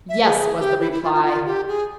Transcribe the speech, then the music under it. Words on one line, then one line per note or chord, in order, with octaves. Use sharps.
"Yes," was the reply.
E5
G#4
G#4
G4
E4
E4
F4
F4
F4
G4
G#4